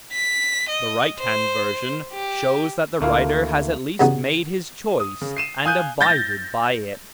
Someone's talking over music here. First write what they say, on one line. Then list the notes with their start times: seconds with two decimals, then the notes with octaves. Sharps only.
The right-hand version shows that the writer has at least made his choice and abided by it.
0.12 B6
0.69 D#5
1.20 C5
2.13 G4
3.01 D2 A3 A#3 E4 F5
4.00 G2 C#3 B3 D#4 F#4
5.00 D#6
5.22 C#3
5.37 C7 D#7 E7
5.65 F5 G#5 D#6 F#6 G6 D#7
6.01 G6 A6 A#6